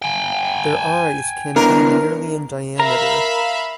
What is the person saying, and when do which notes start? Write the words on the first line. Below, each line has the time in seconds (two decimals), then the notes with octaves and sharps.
Their eyes can be nearly in diameter.
0.02 G5 G#5
1.56 B3 D4 E4 A#4
2.79 A#4 E5 F5 A#5 B5